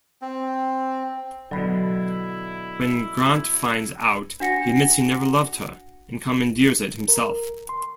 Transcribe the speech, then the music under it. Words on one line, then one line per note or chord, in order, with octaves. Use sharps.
When Grant finds out, he admits he never loved her, and commandeers it himself.
C4
B2 D3 F#3 E4 B5
D4 F#4 F#5 A#6 C#7
A#4
C6